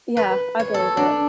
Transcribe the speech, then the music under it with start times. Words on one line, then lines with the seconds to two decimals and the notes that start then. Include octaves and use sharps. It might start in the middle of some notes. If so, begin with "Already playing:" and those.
Yeah, I believe it.
0.17 B4
0.59 C#5
0.74 A4
0.97 D4